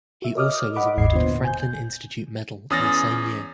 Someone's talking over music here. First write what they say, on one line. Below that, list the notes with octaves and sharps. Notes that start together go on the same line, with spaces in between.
He also was awarded a Franklin Institute Medal in the same year.
F#4 E5
A#4 C#5 D#5 D6 D#6 F6
D#5 F#5 B5 D6 D#6
G1 D#2 G#2 D#5 G#6 C7
A#2 D3 B3 F4 C5 D#5
G#5 G6
E2 C#4 D#6 F6 A6 A#6